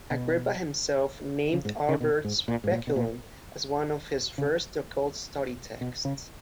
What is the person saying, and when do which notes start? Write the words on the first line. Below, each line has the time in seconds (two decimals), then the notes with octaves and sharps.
Agrippa himself named Albert's "Speculum" as one of his first occult study texts.
0.10 B2
1.53 C#3
1.65 G#2
1.89 C#3
2.01 B2
2.25 G#2
2.48 A#2
2.64 G#2
2.72 A#2
2.87 B2
2.96 A#2
4.38 C#3
5.81 B2
6.05 C#3